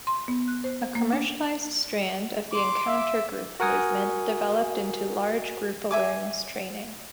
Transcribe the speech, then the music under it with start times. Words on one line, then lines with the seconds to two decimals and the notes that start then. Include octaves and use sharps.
A commercialized strand of the encounter group movement developed into large-group awareness training.
0.07 C6
0.28 B3
0.48 F#6
0.64 C5
0.95 A#3
1.13 D4
2.52 C6 D6
2.87 E5
3.60 F#4 A#4 F#5 G#5 D#6
5.91 E5 G#5 D6